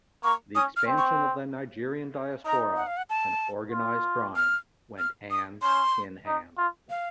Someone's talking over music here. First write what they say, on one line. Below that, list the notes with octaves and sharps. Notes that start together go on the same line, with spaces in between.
The expansion of the Nigerian diaspora and organized crime went hand in hand.
A#3 C#6
C#4 D#6
F6
C4
C#6
D#4 A#5
F#5
F5
F#5
A5
F4
F6
F6
D#6
C#4 C6
D#4
F4
F5